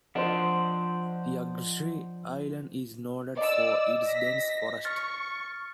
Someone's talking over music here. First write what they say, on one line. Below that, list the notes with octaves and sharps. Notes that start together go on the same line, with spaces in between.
Yagishiri Island is noted for its dense forest.
F3 D4 C5 D#5 F#5
D5 D#5 E6
A#6 B6
C#6 F6 A6